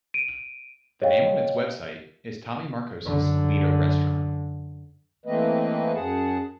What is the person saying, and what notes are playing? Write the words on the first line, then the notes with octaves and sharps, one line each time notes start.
The name on its website is "Tommy Marcos' Ledo Restaurant".
D7 D#7
C#5 D#5 F5 G5
F#2 D3
E3 A3 A#3 C4 B4 D#5
F#2 G#4 F#5 A5